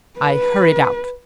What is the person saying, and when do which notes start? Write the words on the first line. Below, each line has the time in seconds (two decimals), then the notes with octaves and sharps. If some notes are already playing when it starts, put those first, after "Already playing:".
I hurried out.
0.20 B4